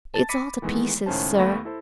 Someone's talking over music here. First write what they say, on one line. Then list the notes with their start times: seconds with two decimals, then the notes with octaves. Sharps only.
'It's all to pieces, sir.
0.14 A5 A6
0.29 B5 D6 A#6 B6 C#7 D#7
0.62 D#3 E3 G#3 A3 B3
1.06 C#2 A2 D#3 C#4 C5 A5
1.38 D#2 A3 B3 B5 C#6 A#6
1.65 E4 A4 C5